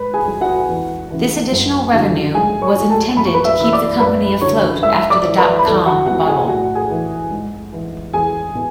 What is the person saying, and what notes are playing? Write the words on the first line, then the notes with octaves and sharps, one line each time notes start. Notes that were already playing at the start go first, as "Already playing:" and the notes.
This additional revenue was intended to keep the company afloat after the dot-com bubble.
Already playing: G#2 B4 B5
G#4 G#5
F#3
F#4 F#5
E2
C#3 E3
F#2
D3 F#3
G#2 G#4 G#5
C#5 C#6
F#3
A4 A5
F#2 B5
C#6
B4 B5
E5 E6
C#3 E3 E6
D5 D6
F#2 B4 B5
D3 F#3 C#5 C#6
G#2 E5 E6
D5 D6
E3
B4 B5
B5
E2 A4 A5
F#4 F#5
B2 F#3 F#4 F#5
G#4 G#5
A2 F#4 F#5
G#4 G#5
E3
G#2
E3
E2 G#4 G#5
B2